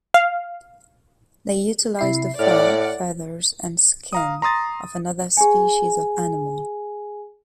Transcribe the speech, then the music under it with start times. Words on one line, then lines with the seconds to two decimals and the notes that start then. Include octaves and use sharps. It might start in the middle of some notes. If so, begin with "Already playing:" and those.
They utilize the fur, feathers, and skin of another species of animal.
0.14 F5
1.99 C3 E4 C7
2.39 A2 D5 F#5 F6
4.13 F5 A#5 D#6
4.42 A#5 C6 D#6 A6 A#6
5.37 G#4 G#5